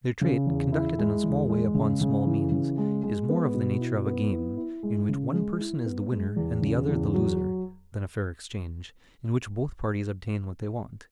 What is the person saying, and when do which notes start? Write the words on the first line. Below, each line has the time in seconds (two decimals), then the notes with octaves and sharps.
Their trade, conducted in a small way upon small means, is more of the nature of a game, in which one person is the winner and the other the loser, than a fair exchange, in which both parties obtain what they want.
0.21 C#3
0.46 E2
0.72 E4
0.99 G#3
1.24 E2
1.49 G#3
1.74 C#3
2.01 C#3
2.26 E3
2.52 C#3
2.78 G#3
3.03 G#3
3.29 B3
3.54 B2
3.80 E4
4.06 B3
4.31 E4
4.57 E4
4.83 G#3
5.09 C#3
5.34 G#3
5.59 E4
5.86 B3
6.11 G#3
6.36 E2
6.62 C#3
6.89 E2
7.14 F#3